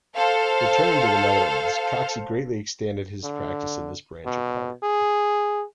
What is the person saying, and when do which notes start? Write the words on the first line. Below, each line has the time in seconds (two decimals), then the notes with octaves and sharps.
Returning to the Netherlands, Coxie greatly extended his practice in this branch of art.
0.15 A4 C5 F5
3.24 D3
4.26 B2
4.84 G#4